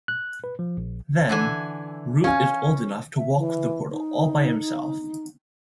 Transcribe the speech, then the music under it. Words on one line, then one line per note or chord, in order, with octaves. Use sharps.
Then, Root is old enough to walk through the portal all by himself.
F#6
B4
F3
A#1
D3 E3 G#5
C#4 F5 G#5
E5
E3
D#4